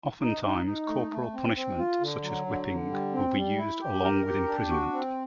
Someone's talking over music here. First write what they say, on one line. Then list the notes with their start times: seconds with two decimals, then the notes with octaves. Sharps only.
Oftentimes, corporal punishment, such as whipping, will be used along with imprisonment.
0.22 D#4
0.44 D#4
0.66 D#4
0.88 A3
1.11 A3
1.34 C4
1.56 C4
1.79 F4
2.01 D3
2.23 F#3
2.46 D3
2.68 D3
2.90 G3
3.13 C4
3.36 G3
3.58 E4
3.81 G4
4.03 A#4
4.26 G4
4.48 D4
4.70 F#4
4.93 C4